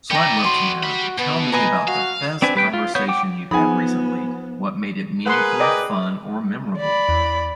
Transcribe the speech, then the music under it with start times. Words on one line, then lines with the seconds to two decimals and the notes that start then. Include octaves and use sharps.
So, I'd love to know, tell me about the best conversation you've had recently, what made it meaningful, fun, or memorable?
0.11 B3 D5 G5 A#5
0.44 F#4 C6
0.83 G3 B5
1.18 B2 B3
1.52 B4 D#5 G#5 A#5
1.87 F#4 F5
2.42 C4 D4 B4 G#5
2.55 G3 B4 G5
2.73 F4
2.95 B3 C#5 G6
3.08 F#5 G5 D6
3.51 F3 B3 D#4 G#4 F#5 G#5 B5
5.26 G#4 A#4 B4 F#5 C6
5.60 D5 D#5 G5
6.77 D5 B5
7.08 E2